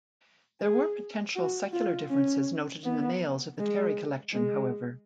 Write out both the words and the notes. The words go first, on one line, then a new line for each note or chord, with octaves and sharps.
There were potential secular differences noted in the males of the Terry collection, however.
G#4
F#4
F4
C#4
B3
G#3
G#3